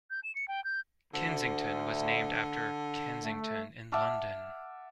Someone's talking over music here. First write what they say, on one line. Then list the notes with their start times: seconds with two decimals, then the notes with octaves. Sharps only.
Kensington was named after Kensington in London.
0.10 G6
0.24 E7
0.35 C#7
0.48 G5
0.64 G6
1.14 D2 D3
3.23 A3
3.92 E5 F#5 A5 D6 E6 F6